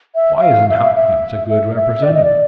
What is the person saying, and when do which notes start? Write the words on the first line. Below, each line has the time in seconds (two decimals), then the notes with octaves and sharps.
"Why isn't Hopkins a good Representative?"
0.15 E5
0.37 E5
0.42 F5
0.70 E5
0.77 F5
0.84 E5
0.96 E5
1.50 E5
1.76 E5
2.03 D5
2.14 D#5
2.24 D5